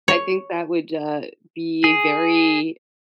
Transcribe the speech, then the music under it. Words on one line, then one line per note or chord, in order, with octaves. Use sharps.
I think that would, uh, be very
C#5
G#4